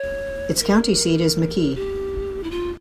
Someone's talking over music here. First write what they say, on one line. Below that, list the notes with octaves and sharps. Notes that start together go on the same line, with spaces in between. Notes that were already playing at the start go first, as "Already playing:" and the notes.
Its county seat is McKee.
Already playing: C#5
C5
A#4
G4
E4
F4